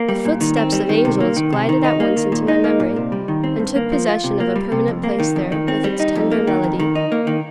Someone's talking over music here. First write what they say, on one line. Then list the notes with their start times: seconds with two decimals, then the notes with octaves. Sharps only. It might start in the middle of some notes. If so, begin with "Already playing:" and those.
The "Footsteps of Angels" glided at once into my memory, and took possession of a permanent place there, with its tender melody.
Already playing: A#3
0.08 G3
0.25 A#2
0.41 D#3
0.57 C4
0.72 G3
0.89 D#3
1.05 C3
1.20 A#3
1.36 D#3
1.53 C3
1.69 D#3
1.84 D#4
2.00 A#3
2.17 D#3
2.32 A#2
2.48 D#4
2.64 A#3
2.80 A#2
2.96 C3
3.12 G3
3.28 D#3
3.44 C4
3.59 G2
3.76 A#3
3.92 F3
4.08 F4
4.24 C3
4.40 A#3
4.56 G3
4.72 C3
4.88 F2
5.04 A#3
5.20 D#3
5.36 F2
5.52 D#3
5.68 C4
5.84 G3
6.00 D#4
6.15 F2
6.31 A#3
6.47 D#3
6.64 F2
6.80 D#3
6.95 D#4
7.12 A#3
7.27 D#3